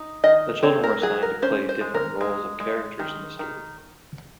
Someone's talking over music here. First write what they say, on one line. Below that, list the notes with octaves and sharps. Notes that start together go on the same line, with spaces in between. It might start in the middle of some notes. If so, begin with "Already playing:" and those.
The children were assigned to play different roles of characters in the story.
Already playing: D#4
D#3 D#5
C4 C#5
A#4
F#3 G#4
A#4
C#4 C5
C5
G#3
A#4
G#3
G#3
D#3
D#3